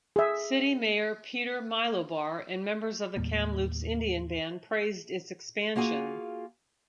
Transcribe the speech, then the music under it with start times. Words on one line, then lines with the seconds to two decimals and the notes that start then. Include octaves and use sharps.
City mayor Peter Milobar and members of the Kamloops Indian Band praised its expansion.
0.16 G#4 E5
3.17 D#2 A2 G3 A#3
5.76 A#3 F4 F#4 G#4 G#5